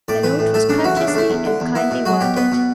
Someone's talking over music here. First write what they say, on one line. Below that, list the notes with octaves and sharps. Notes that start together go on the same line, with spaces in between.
The note was courteously and kindly worded.
A2 D5
E3 B4
A2
A3 A4
C#3 D4
E3 F#4
C#3 E4
D4
A3 E4
E2
D3
E2
B3 E4
B2
F#3 F#4
B2 G4
B3 B4
B2